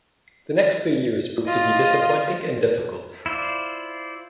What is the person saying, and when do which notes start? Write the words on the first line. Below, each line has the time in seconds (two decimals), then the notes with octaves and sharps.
The next three years proved to be disappointing and difficult.
1.46 F4 D#5
3.26 E4 F4 C5 D5